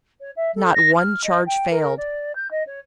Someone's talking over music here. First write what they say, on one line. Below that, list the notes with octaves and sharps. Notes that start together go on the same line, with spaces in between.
Not one charge failed.
C#5
E5
A4
A#6
F6
D#5
G5
A#4
D5
G6
D#5
C#5